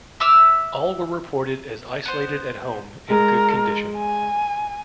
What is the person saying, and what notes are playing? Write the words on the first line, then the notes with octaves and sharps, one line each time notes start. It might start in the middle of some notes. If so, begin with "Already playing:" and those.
All were reported as isolated at home in good condition.
E5 D6 E6 F6
B3 C5
G#3 A#4
G#5